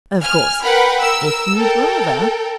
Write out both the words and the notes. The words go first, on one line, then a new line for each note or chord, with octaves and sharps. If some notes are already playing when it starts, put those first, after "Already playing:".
Of course, if you'd rather ...
G#5 F6
A#4 B4 F#5 G5 B5
A#4 E6
A4 A#4 G5